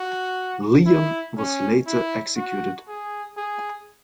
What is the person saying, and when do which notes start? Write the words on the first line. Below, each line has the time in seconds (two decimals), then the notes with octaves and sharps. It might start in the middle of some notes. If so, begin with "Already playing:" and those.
Leon was later executed.
Already playing: F#4
0.86 E4
1.37 C#4
1.86 E4
2.37 F#4
2.88 G#4
3.37 G#4